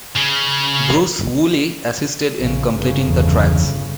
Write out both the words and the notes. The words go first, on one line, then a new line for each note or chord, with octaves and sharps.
Bruce Woolley assisted in completing the tracks.
C#3
A#1 C#3
G1 C#3
E2